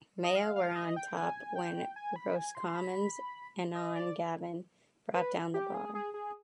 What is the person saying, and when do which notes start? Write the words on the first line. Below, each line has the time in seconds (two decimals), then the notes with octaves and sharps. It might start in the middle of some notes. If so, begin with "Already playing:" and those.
Mayo were on top when Roscommon's Enon Gavin brought down the bar.
0.24 D#5
0.35 F5
0.56 F5
0.75 D#5
0.96 G5
1.16 G#5
1.56 G5
1.96 G#5
2.16 B5
2.36 G#5
2.55 C6
2.68 C6
2.75 B5
3.75 D#5
3.95 D5
5.14 B4
5.54 G4
5.74 G#4
5.95 G#4
6.14 G#4